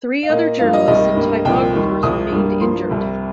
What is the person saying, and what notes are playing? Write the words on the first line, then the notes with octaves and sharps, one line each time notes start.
Three other journalists and typographers remained injured.
F5
A#2 A#3 D#5
G2 F3 A#3 F5
D#5
C2 C3 D#3 G3 D#5
G2 G3 A#3
C2 A#2 F3 G5
D#2 D#3 G3
C2 C3 F3 D#6
G2 G3 A#3
G2 F3 A#3 C6
C2 C3 G3